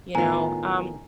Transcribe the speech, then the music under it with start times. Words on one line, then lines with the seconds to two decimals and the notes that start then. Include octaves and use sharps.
you know, um,
0.15 A2 D#3 B3 F4 G#5 A#5